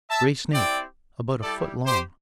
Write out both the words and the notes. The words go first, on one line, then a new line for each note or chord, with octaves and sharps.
Gray snake, about a foot long.
E5 A5
C4 E4 G4 D5 G5
G3 E4 G4 A4 D5
G4 C5